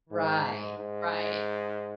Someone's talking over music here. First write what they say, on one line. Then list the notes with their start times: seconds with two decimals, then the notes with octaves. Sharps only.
Right, right.
0.11 G#2
0.78 G#2